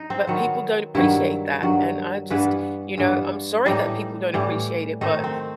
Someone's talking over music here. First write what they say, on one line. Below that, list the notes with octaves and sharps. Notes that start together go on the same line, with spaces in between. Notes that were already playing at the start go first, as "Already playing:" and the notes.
But people don't appreciate that, and I just You know, I'm sorry that people don't appreciate it, but
Already playing: D#4
C4
D#3 F#3 B3
G2 D#3 F#3 E4
G2 D#3 F#3
G2 E3 B3 B4
G2 E3 B3
A2 E3 G3 D#4
A2 E3 G3
D#3 A3 C4 D#4
C4